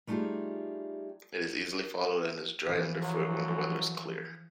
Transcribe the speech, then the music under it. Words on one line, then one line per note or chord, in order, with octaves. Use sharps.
It is easily followed, and is dry underfoot when the weather is clear.
G3 A3 D#4 F4 G4 G#4
E3 F3
F#3